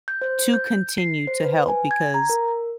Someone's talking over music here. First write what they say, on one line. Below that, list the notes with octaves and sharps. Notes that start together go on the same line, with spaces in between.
to continue to help because
G6
C5
G6
C7
C5
B4
G#5
G#6
A#5
A#4